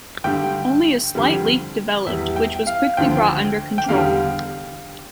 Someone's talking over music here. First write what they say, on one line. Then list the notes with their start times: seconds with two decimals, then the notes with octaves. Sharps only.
Only a slight leak developed, which was quickly brought under control.
0.24 G2 D3 G3 G5
1.15 F2 D3 G3
2.06 E2 E3 G3 E5
2.36 G5
2.67 F5
2.97 D2 D3 F3 G5
3.78 G5
3.88 E2 D3 G3 F5